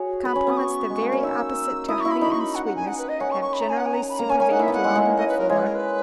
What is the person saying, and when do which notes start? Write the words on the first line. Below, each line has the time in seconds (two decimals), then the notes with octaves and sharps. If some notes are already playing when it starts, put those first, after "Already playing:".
Compliments the very opposite to honey and sweetness have generally supervened long before.
Already playing: F#4 G#4 C#5
0.25 B4 B5
0.35 C#4
0.47 B3 D#6
0.57 C#6
0.90 G#3
1.02 A#3
1.12 C#4
1.23 D#4 E6
1.88 E4 D#6
2.00 E4 C#6
2.11 B5
2.21 D#4 B5
2.31 C#6
2.40 B5
2.55 F#5
2.65 F#5
2.76 G#5
2.87 F#5
2.98 B4
3.09 D#5
3.20 C#4 F#5
3.31 C#6
3.42 C#6
3.53 B5
3.61 A#5
3.70 G#5
3.77 F#5
3.86 G#5
3.94 A#5
4.10 B5
4.18 A#3 A#5
4.29 C#4 G#5
4.40 C#4 G#5
4.51 D#4 F#5
4.59 E4 E5
4.68 B3
4.73 A#3 F#5
4.84 G#3
4.95 G#3
5.05 A#3
5.17 D#5
5.28 B4
5.38 A#4
5.50 G#3 C#5
5.58 B4
5.66 A#4
5.75 B4